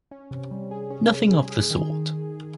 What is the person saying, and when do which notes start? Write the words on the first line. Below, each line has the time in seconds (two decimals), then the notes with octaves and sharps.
Nothing of the sort.
0.11 C#4
0.31 C3
0.51 G3
0.71 G#4
0.90 C#4
1.11 G#4
1.31 G#4
1.50 G#4
1.70 D#3